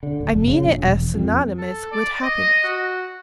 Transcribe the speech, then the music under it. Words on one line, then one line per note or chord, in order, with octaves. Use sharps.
I mean it as synonymous with happiness.
D3
D1
F1
C#3
A#1
E1
F2
A4
D5
D#5
F#4